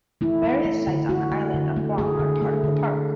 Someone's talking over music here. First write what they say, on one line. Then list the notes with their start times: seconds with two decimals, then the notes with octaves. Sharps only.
Various sites on the island of Guam are part of the Park.
0.21 A3 E4
0.43 A3
0.65 A3
0.87 D3
1.09 A3 F#4
1.32 A3
1.54 D3
1.76 A3
1.98 A3 G#4
2.19 D3
2.42 A3
2.64 D3